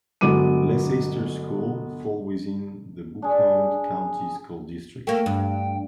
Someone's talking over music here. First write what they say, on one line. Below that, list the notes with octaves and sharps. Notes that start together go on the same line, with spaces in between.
Leicester's schools fall within the Buncombe County School District.
G1 F#3 G#3 B3 D6 D#7
D4 G#4
A3 A#3 G5
G2